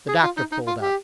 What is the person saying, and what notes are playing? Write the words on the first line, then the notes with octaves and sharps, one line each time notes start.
The doctor pulled up.
G#4
F4
D#4
D#4
F4
G4